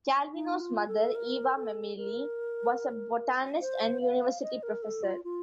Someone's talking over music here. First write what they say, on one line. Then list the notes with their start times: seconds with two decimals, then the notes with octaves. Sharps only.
Calvino's mother, Eva Mameli, was a botanist and university professor.
0.34 D#4
0.60 F4
0.88 A4
1.15 A#4
1.56 A4
1.97 A#4
3.61 C5
4.01 F5
4.42 D#5
4.63 A#4
4.82 A4
5.04 F4
5.24 F4